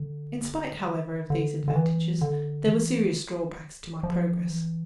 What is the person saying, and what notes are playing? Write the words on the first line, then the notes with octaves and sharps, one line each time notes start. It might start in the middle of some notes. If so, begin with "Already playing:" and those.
In spite, however, of these advantages, there were serious drawbacks to my progress.
Already playing: D3
D3
D3
E3
D3
E3
F3
E3